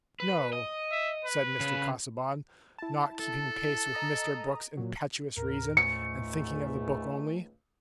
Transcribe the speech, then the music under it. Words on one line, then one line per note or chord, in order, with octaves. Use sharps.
"No" said Mr. Casaubon, not keeping pace with Mr. Brooke's impetuous reason, and thinking of the book only.
B4
D#5
E5
B4
C#3
E4 A5
A4
D#5 A#5 D#6
A#2 F#3
D#2 A2 A#4
C#2 G#2 A3 C#7